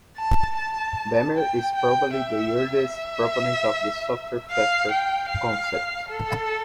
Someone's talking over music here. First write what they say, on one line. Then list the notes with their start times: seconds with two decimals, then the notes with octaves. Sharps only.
Bemer is probably the earliest proponent of the Software Factory concept.
0.17 A5
0.57 A5
1.36 G5
1.76 G5
2.15 E5
2.93 E5
4.51 F5
4.91 G5
5.30 F5
6.09 A4